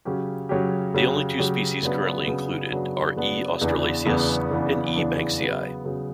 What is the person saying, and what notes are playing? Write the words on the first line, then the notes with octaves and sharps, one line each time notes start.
The only two species currently included are "E. australasius" and "E. banksii".
C#3 F#3 C#4 G4
C#3 F#3 C#4 G4
C#3 F#3 C#4 G4
C#3 F#3 C#4 G4
C#3 F#3 B3 D4
C#3 F#3 B3 D4
C#3 F#3 B3 D4
C#3 F#3 B3 D4
E2 C#3 E3 B3 D4
E2 C#3 E3 B3 D4
E2 C#3 E3 B3 D4
E2 C#3 E3 B3 D4
C#3 F#3 B3
C#3 F#3 B3